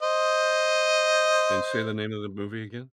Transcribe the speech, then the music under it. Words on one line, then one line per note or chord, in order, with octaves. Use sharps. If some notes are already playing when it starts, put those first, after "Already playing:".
And say the name of the movie again.
C5 D#5